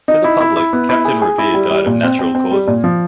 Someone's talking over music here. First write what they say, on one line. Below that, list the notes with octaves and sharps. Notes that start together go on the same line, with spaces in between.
To the public, Captain Revere died of natural causes.
D#4
E4
E4
E4
B3
E4
G#4
G#4
E4
G3
G3
A#2
C4
C4
C4
G3
A#2
F3